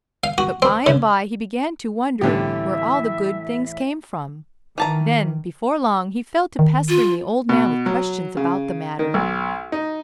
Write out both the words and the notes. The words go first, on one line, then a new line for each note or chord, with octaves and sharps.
But by-and-by he began to wonder where all the good things came from. Then, before long, he fell to pestering the old man with questions about the matter.
F5
F#4
C4
C#3
C2 A2 D3 E3 G4 E5
D#3 E3 A5 A#5
D#3
F4
B2
F#3
C#3
D#3
B1
D#4